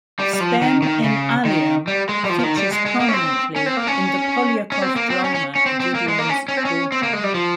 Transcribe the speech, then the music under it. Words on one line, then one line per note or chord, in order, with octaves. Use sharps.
"Spem in alium" features prominently in the Poliakoff drama "Gideon's Daughter".
G3
G3
F3
D#3
D#3
C#3
D#3
G3
G#3
G3
F3
F3
D#3
G3
G#3
G#3
A#3
C#4
C4
C#4
C4
A#3
C#4
C#4
C4
A#3
C4
C#4
C#4
C#4
C4
C4
A#3
G#3
A#3
C#4
C#4
C4
C#4
C4
A#3
G#3
G3
F3